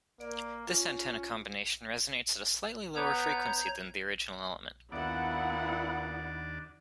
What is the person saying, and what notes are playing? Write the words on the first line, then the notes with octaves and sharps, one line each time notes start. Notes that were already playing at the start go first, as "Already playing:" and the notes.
This antenna combination resonates at a slightly lower frequency than the original element.
A#3 D5
C#4 F4
B3 C#5 A#5 G6
D#2 A#2 B3 D4 E4 D5 F#5